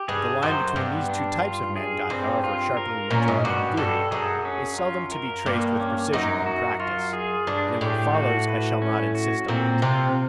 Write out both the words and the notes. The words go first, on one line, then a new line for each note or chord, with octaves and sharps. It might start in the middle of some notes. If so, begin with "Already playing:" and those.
But the line between these two types of man-god, however sharply we may draw it in theory, is seldom to be traced with precision in practice, and in what follows I shall not insist on it.
Already playing: G4
G2 G#4
F#2 C5
G2 B3
D4
F4
G#4
G2 C4
F4
A#4
A#2 C#4
G#2
G2 F#4
G2 A4
F#2 G#4
C#4
F4
A#4
G2 A#3
C#4
F#2 D#4
F#4
F4
G#4
G2 D4
A2 G4
F#4
B4
C#4
F#4
A#2 C4
C3 F4